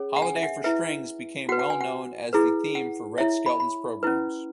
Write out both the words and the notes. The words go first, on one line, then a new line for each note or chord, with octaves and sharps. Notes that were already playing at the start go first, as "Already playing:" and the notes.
"Holiday for Strings" became well known as the theme for Red Skelton's programs.
Already playing: C#4 G#4 C#5
F#5
G#5
E5
F#5
E4 B4 E5
F#4 B4 F#5
F#5
G#5
F#5
E4 G#4 B4
F#5
E4 C#5 E5
B5
B5
C#4 E4 B4